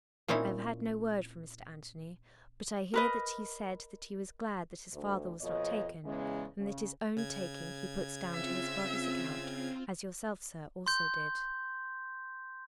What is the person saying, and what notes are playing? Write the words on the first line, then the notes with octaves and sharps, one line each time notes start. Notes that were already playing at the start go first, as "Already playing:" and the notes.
I have had no word from Mr. Anthony, but I hear that he said that he was glad that his father was not taken, and that his own taking he puts down to his brother's account, as yourself, sir, also did.
A#2 C4 C#4 D#4 E4
A#4 B4 D#5
D2
F2 B2 C#5 D#5
E2 C#3 G#3
C#3
C#3 G#6
C4 F4 E5
C6 G6